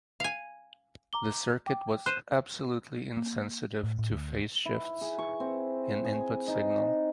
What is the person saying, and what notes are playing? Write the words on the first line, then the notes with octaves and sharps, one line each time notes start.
The circuit was absolutely insensitive to phase shifts in input signal.
F5 G#5
A#5 D6 G7
G5 D6
C5 F#6 D#7 E7
A#3
A2
A2
D2
E4
G#4
C#6
C4
G#4
D#4